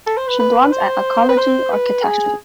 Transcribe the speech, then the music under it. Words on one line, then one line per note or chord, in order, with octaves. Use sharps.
She blogs at Ecology or Catastrophe.
A4
C5
B4
B4
C5
B4
C5
B4
G#4